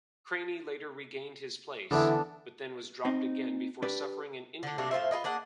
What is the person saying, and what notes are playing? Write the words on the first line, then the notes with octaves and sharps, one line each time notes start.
Crainey later regained his place, but then was dropped again before suffering an injury.
D3 E3 B3 D4 E4 A4
C4 D#4
D4 G4 B4 D5
D3 D4
C3 A3 A#3 D4
A2 F4 C5 E5
F4 G#4 B4 D#5
A#3 D4 G#4 F#5